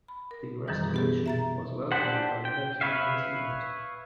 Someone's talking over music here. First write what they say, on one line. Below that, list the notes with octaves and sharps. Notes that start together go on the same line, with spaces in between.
The restoration was welcomed by Monarchy New Zealand.
B5
A#4
F#2 B2 D#3 E3 G3
B3 G4 G#4
E5 A#5 A6
D4 G4 C5 F#5
G5
B4 C#5 E5 F5